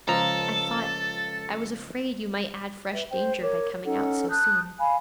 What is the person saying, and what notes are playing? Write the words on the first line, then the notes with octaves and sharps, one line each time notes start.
'I thought--I was afraid you might add fresh danger by coming out so soon.'
C#2 F3 A4 A#5
B4 E5
C5 G5
A#4 C#5 D6
C#4 D#4 A4 F#5
A5 D#6 F#6 G6
F5 G#5 B5